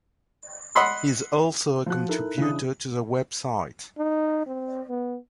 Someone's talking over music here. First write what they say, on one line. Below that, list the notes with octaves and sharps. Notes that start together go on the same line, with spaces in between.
He is also a contributor to the website.
D#5 F#5 B5 C6 E6
F3 F#4 F#6
D#4 E4 A4 A#4
C#3 E3 D4 D#6
D#4
C4
B3